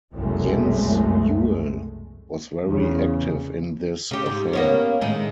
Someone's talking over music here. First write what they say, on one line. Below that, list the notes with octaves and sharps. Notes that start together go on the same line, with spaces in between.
Jens Juel was very active in this affair.
F1 C2 F#2 B2 G#3 A3
E2 C#3
C#3 G4
G#2
A#3 B3 C#4
A2 D#3 G#3